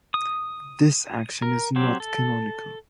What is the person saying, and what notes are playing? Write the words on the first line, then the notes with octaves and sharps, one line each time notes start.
This action is not canonical.
D#6
A#4
F#3 C4 G4
A4